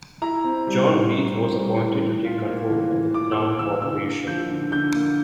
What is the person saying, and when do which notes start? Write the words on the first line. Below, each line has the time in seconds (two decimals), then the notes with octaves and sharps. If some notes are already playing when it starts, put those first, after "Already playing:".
John Reith was appointed to take control of the Crown corporation.
0.22 E4 A#5
0.44 C4
0.67 G3
0.89 A2
1.12 E4
1.34 C4
1.56 G3
1.79 A2
2.02 E3
2.25 F4
2.47 A#3
2.70 E3
2.92 E3
3.14 F4 D6
3.32 E6
3.37 A#3 D6
3.59 E3 E6
3.82 D3 E6
4.04 A#3
4.27 F3 G6
4.49 D3
4.71 D3 G6
4.95 A#3